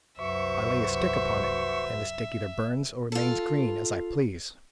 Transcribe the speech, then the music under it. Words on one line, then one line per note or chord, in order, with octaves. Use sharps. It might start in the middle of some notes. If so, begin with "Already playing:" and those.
I lay a stick upon it and the stick either burns or remains green, as I please.
C2 F#2 F#4 B4 C5 E5 C#6
F4 A4